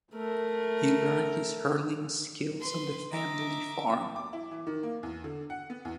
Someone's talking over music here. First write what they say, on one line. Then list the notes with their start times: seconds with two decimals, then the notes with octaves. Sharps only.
He learned his hurling skills on the family farm.
0.15 A3 A#4
2.60 B4 C6
3.12 D#5 E5 A#5 D6
4.16 D6
4.33 E4
4.51 E3
4.67 D#3
4.83 A#3
5.03 E2
5.24 D3
5.50 F#5
5.70 B3
5.85 E2